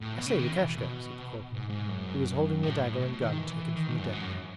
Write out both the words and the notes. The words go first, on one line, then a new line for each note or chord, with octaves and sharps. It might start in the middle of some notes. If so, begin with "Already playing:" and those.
'I say, Lukashka,' said the corporal, who was holding the dagger and gun taken from the dead man.
A2
B2
C#3
D#3
E3
B2
B2
G#2
G#2
F#2
A2
A2
B2
D#3
E3
D#3
G#2
F#2
G#2
F#2